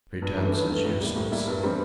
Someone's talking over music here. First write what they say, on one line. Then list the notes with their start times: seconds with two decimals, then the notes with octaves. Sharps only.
Pretence is useless.
0.22 G2
0.37 E3 A3
0.53 G2
0.70 E3 A3
0.85 A2
1.00 G3 A#3 E4
1.16 A2
1.32 G3 A#3 E4
1.47 G2
1.63 E3 G3 C4